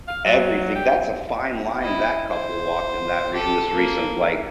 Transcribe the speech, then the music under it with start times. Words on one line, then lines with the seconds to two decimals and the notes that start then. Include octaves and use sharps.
everything. That's a fine line that couple walked in that re in this recent, like,
0.08 F5
0.25 F#3
0.75 G4
1.80 E4 D#5
2.26 C5
3.33 G4 A4
3.73 A#3